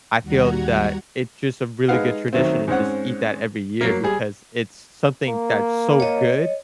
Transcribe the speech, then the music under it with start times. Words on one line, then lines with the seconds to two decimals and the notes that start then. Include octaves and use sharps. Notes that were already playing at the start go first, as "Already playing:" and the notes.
I feel that it's just a really good tradition and just eat that every year, because it's something that's so good
0.23 D#2 G3 F#4 F#5 A#5 G#6
1.88 G#3 D#4 B4 F5 F#5
2.33 D#3 F#3 A3 C4
2.68 G#2 C4 C#4 F#5
3.81 F#3 A#3
4.03 G3 G#4
5.28 A#3
6.00 C#5 D#5